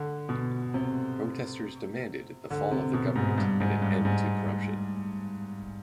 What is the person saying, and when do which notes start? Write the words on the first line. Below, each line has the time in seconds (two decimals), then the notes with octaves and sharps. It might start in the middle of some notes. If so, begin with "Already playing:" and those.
Protesters demanded the fall of the government and an end to corruption.
Already playing: D3
0.29 B2
0.74 C3
2.50 D3
2.71 C3
2.93 B2
3.16 G#2
3.38 G2
3.60 G#2
3.82 G2
4.05 G#2